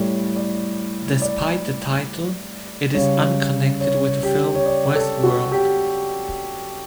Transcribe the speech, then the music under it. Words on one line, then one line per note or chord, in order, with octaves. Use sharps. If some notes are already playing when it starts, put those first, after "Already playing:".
Despite the title, it is unconnected with the film "Westworld".
Already playing: A2 G3 C#5
D5
D5
C#3 G3 C#5
C#5
G4
C#5
D5
A4
F#4
G4